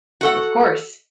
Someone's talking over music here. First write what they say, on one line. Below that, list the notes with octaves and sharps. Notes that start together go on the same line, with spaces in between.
Of course.
F#4 A4 F#5